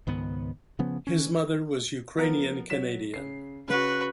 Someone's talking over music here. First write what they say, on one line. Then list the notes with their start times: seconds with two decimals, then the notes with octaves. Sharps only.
His mother was Ukrainian Canadian.
0.07 C#2 G#2 D#3 B3
0.79 C#3 F3 B3 C#4
1.07 D#3 C#4
2.18 F3 B3 A#4
2.70 F#3 B6 E7
3.14 C#3 C7
3.68 C#3 F#4 B4